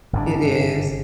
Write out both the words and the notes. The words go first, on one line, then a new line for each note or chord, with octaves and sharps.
It is.
G1 G#2 D4